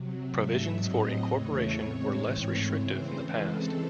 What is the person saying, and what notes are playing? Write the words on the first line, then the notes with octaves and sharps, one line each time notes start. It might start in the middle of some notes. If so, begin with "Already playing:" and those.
Provisions for incorporation were less restrictive in the past.
Already playing: C3 F#3
G#2 F#3 A3 E5
A2 F#3 C4 D#5
E2 C#3 E3 A3 C#5
A2 G#3 C4
G#2 E3 A3 C4
C#3 E3 C4 C5
C#3 E3 G#3 C4 A4